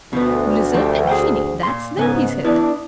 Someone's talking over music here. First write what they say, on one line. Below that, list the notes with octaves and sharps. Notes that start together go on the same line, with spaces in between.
"Blizzard and Finney, that's them," he said.
D2 B2 F3 B3
F3 A3 G4
G#4 C5 G5
A#2 C6
G#2 C#3 B3 G#5
B3 D4 E4 B4